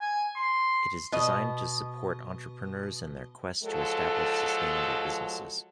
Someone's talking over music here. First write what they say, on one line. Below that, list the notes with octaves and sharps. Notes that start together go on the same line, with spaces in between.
It is designed to support entrepreneurs in their quest to establish sustainable businesses.
G#5
C6
B2 D#5
F3 F#3 G#3 A4